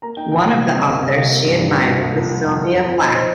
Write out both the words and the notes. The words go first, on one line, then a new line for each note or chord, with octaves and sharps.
One of the authors she admired was Sylvia Plath.
A#3 A#5
D#4 G5
A#2 G5
C3
G3
C4 D#5
C2 F5
C2 D#5
C3 F5
A#3
G2
G2
A#2 G5
C2
C2
F2
F3
F2
F2
F2
C5
F2
D#4 D#5
C5